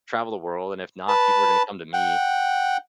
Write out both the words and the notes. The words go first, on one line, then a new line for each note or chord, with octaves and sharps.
travel the world, and if not, people are gonna come to me,
B4 A5
F#5 G5